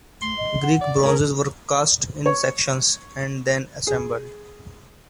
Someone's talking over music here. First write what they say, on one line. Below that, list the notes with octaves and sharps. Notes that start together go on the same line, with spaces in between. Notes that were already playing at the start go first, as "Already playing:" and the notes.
Greek bronzes were cast in sections and then assembled.
A3 C6
D#5
F#5
D5
C#4 D4 A#4
C#5
G#4